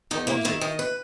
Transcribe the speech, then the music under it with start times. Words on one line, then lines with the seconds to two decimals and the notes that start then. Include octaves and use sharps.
"What was It?"
0.11 E2 D#4
0.27 A#3 E4
0.45 D#3 E4
0.61 D#3 D#5
0.79 B4